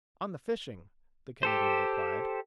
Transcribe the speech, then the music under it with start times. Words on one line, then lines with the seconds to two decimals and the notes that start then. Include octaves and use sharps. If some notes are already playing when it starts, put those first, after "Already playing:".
"On the fishing," the Canadian replied.
1.43 G4 A4 C5